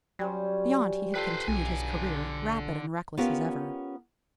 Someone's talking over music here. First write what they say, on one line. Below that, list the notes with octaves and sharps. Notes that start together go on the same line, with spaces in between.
Beyond he had continued his career; rapid and reckless as ever.
F#3 G3 C#4 C5
F4 A4 B4 C5 G5
B1 D3 G#5
B3 C#4 F4 G4 A#4 B4